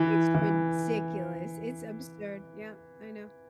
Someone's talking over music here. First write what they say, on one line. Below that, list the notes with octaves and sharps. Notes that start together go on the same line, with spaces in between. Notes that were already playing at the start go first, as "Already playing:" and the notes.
It's ridiculous, it's absurd, yep, I know.
Already playing: E3
E3